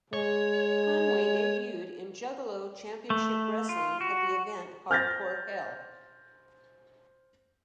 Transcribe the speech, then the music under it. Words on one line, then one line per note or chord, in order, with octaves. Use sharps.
Conway debuted in Juggalo Championship Wrestling at the event Hardcore Hell.
G#3 C#5
A3
F4
F#4
C5 F6 G6 A6 A#6